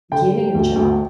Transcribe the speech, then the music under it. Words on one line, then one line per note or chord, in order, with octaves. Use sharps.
getting a job,
D3 G5
G3
D2
D2